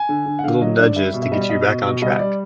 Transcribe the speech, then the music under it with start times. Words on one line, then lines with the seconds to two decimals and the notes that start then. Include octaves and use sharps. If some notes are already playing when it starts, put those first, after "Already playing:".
little nudges to get you back on track.
Already playing: G#5
0.09 D3
0.26 D3
0.39 F#5
0.44 D3 F5
0.62 F#3 D#5
0.79 D3 D5
0.96 G3 E5
1.14 B2
1.23 E5
1.32 G3 D#5
1.41 D5
1.49 B2 D#5
1.67 B2
1.84 B2
2.02 G3 D#5
2.19 G3 D5